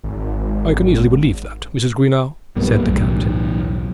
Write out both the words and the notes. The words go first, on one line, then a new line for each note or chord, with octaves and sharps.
"I can easily believe that, Mrs. Greenow," said the Captain.
G#1
B1 A2 G3 A#3 B3
B1 E2 A2